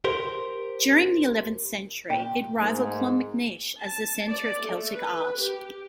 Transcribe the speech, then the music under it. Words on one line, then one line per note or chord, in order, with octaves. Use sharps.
During the eleventh century, it rivaled Clonmacnoise as the centre of Celtic art.
G4 A#4 C5
A#2 G4
G#2 A3 A#3
A5
D5
A3
B4
G4